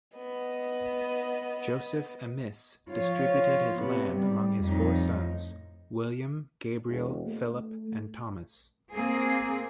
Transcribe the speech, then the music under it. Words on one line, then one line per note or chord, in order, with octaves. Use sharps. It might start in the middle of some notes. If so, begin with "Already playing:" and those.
Joseph Amiss distributed his land among his four sons, William, Gabriel, Philip, and Thomas.
B3 D#5
F3 F4 C#5
C3 B3
G3
F2 A2 D#4
E1
A3
A#3 C4 G#4